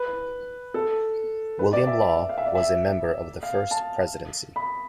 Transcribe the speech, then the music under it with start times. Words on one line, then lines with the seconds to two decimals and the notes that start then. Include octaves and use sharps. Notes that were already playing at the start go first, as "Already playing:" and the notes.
William Law was a member of the First Presidency.
Already playing: B4
0.74 A4
1.59 B4
1.73 D5
1.87 E5
2.01 E5
2.16 D5
2.29 F5
2.38 E5
2.46 D5
2.55 E5
3.43 F5
3.71 A5
4.56 B5